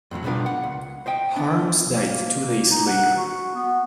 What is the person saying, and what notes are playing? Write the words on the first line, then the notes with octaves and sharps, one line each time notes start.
Harms died two days later.
F2 A2 D3 F#3
B2 G3 B3 D4 F4 A#4
F#5
C#2
C5 D#5 G5
B3 D4
A#3
D#4
F#5
F#4
B3